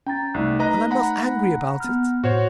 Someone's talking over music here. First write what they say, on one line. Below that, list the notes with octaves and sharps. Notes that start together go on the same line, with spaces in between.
And I'm not angry about it.
C#4 G5 A#5 A6
C2 A3 D#4 F#6
B4 D#5 A#5
F#5 A#5 B5
B3 F6
A2 F#4 C5 C#5